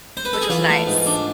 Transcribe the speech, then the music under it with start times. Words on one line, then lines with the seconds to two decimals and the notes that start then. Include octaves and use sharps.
which was nice.
0.17 C5
0.25 B4
0.33 A4
0.42 G#4
0.49 E3 F4
0.70 A3
0.87 G#2
1.06 D4